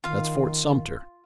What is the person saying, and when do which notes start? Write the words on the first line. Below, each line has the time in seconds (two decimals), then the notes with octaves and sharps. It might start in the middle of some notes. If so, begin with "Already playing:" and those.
That's Fort Sumter.
0.04 D#3 F4 F5